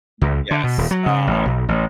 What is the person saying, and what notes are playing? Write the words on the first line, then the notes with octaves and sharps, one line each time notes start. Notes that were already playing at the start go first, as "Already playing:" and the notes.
Y yes, um,
C#2
D3
B2
D#1
F#3
C#3
A1
B1
A1